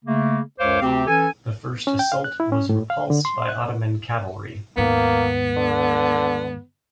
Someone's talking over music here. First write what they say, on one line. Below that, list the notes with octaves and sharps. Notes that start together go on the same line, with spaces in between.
The first assault was repulsed by Ottoman cavalry.
C#3 A3 A#3
C#2 F#2 C5 C#5 F5 D6
D2 C3 C4 G4
E3 C#4 A4 G#5
C#4
G5
F5
F#6
E4
C#4
A2
F5
D3
C6
F#6
D#2 G#2 A#3 B3
D3